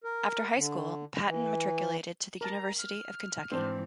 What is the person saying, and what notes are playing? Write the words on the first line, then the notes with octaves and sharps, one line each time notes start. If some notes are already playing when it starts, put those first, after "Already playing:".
After high school, Patton matriculated to the University of Kentucky.
A#4
D3
E3
A#4 A5 A#5
F6
G#2 E3 C4 D4 C5